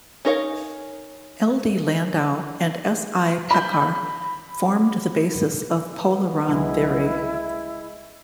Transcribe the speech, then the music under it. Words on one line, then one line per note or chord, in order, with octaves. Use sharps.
L. D. Landau and S. I. Pekar formed the basis of polaron theory.
C#4 D#4 A#4 C#5 F5
B5 G6
B3
C2 F#3 G#3 E4